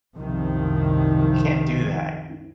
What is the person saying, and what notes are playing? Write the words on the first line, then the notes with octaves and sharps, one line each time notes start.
You can't do that. Y
C2 F#2 C3 D#3 F3